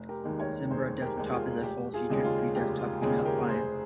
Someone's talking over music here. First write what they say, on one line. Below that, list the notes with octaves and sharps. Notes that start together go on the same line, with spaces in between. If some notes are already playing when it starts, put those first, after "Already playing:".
Zimbra Desktop is a full-featured free desktop email client.
Already playing: F1
G4 A#4
D#2 D#3 G#3
A#4 C#5
F1 G#4 C5
G4 A#4
D#2 D#3 G#3
F4 G#4
F1 G4
F4 G#4
D#2 C#3 G#3 C#4
F4
F1 G4
F4
D#2 C#3 G#3 C#4 F4 G#4
G4 A#4
F1 G#4 C5